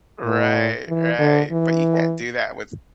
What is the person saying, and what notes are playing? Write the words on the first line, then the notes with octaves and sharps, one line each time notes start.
Right, right, but you can't do that with
A2
E3
D3
E3